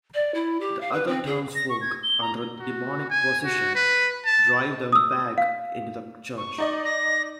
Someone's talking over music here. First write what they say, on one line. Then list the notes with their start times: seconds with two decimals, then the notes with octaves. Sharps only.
The other townsfolk, under demonic possession, drive them back into the church.
0.14 D5
0.34 E4
0.60 G4
0.81 F5
0.92 B4
1.07 C4
1.26 G#4
1.55 A#6
1.70 C#6
1.81 G#6
2.03 G7
2.21 A#5
2.60 F#4
3.10 G#5
3.45 F#4
3.75 B4
4.25 A5
4.93 D#6 E6
5.38 F5
6.38 C#6
6.58 D#4 D5 D#5
6.85 A#6